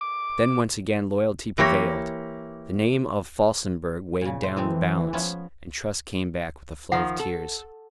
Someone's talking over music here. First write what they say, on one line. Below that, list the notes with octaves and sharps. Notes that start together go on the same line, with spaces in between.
Then once again loyalty prevailed, the name of Felsenburgh weighed down the balance, and trust came back with a flood of tears.
D6
E3 A#3 G4 C#5
A#2 C#3
C5
E3 G#3 A3 C4
F3 B3 C#4
D#3 F3 F#5
A4